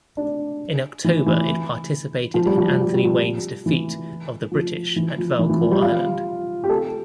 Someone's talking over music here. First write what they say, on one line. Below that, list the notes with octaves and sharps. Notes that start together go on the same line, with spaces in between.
In October it participated in Anthony Wayne's defeat of the British at Valcour Island.
D4
E3
E3
F3
G3
F3
G3
F3
G3
F3
E3
F3
E3
F3
E3
E3
F3
G3
F4
G4
A4